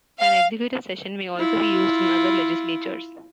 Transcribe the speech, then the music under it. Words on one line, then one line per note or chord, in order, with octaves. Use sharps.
An executive session may also be used in other legislatures.
F5
E4 F4